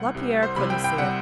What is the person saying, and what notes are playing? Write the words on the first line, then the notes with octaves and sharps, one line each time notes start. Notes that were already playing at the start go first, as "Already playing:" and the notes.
Lapierre couldn't see it.
Already playing: C2 C3 G3 F#5
C2 C3 G3
C5
C2 C3 G3 B5
G5
G5
C3 G3 F#5